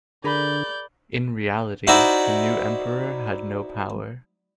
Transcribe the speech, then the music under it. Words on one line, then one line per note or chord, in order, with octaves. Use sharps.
In reality, the new Emperor had no power.
D3 G#4 A#4 D5 B5 G6
D#4 E4 F#4 C5 D5 E5